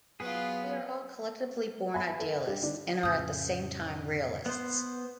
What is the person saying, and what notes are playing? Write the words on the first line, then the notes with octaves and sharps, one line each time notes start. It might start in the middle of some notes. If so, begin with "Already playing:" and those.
We are all collectively born idealists, and are at the same time realists.
F#3 B3 F4 G#4 B4
E5 G#5 A5 B5
A4 B4 E5
G2 G4
D3 D4 D#4
F2 A2 C#3 D#6 G6
B3 C5